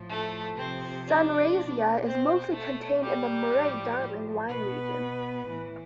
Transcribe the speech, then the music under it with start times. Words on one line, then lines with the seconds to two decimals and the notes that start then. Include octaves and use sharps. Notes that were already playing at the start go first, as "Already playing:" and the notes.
Sunraysia is mostly contained in the Murray Darling wine region.
Already playing: A2 F3
0.09 A3 A4
0.57 C3 F3 C4 C5
1.06 D4 D5
1.56 B2
2.04 C4 C5
2.53 B2 A3 A4
3.02 G3 G4
3.51 A2 F3
4.48 B2 B3 B4
5.47 A2 E3